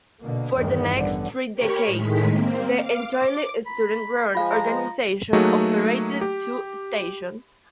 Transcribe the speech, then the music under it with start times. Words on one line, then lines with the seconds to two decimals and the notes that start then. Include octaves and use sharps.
For the next three decades, the entirely student-run organization operated two stations.
0.21 B2 D3 A#3
0.54 E2 G2 D#3
0.94 A1 D3 G3 B3
1.54 G4 A#4 C#5 B5 C#6
1.86 A2 D#3 G#3 B6
2.27 A#3 C4
2.71 F5 D6
3.12 D6
3.66 B5
4.35 F3 G#3 F4 F5
4.51 A#5
5.33 F#3 A3 A#3 D#4 F#4 G#4
6.21 G4